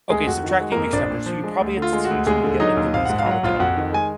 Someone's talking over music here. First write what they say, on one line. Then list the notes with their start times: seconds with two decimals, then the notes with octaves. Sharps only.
Okay, subtracting mixed numbers, so you probably have to teach them to get, like, the least common denominator,
0.10 D2 G#3 G#4
0.27 F2 F#4
0.43 D#3
0.48 F#4
0.60 G#3
0.72 F2 A#3 A#4
0.93 A#1 D4 D5
1.10 A#2
1.26 F3
1.44 G#3
1.60 D2
1.77 D3
1.82 F4
1.93 G#3
2.05 F#4
2.11 D2
2.27 D#2 G#3 G#4
2.44 D3
2.60 F#3 D#4 D#5
2.77 D#2
2.93 A#1 F5
3.05 G#2 F#5
3.19 F5
3.26 F#3
3.31 F#5
3.43 A#1 F4 F5
3.59 F2 F#4 F#5
3.77 D#3
3.93 G#3 G#5